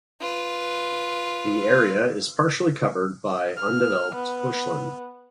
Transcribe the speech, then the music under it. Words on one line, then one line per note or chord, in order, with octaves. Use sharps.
The area is partially covered by undeveloped bushland.
F4 B4
F6
B3